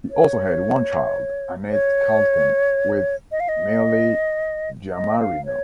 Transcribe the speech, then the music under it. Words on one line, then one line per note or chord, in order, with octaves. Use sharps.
He also had one child, Annette Kalten, with Millie Giammarino.
C#5
C#5
D#5
F5
D#5
D#5
F5
C#5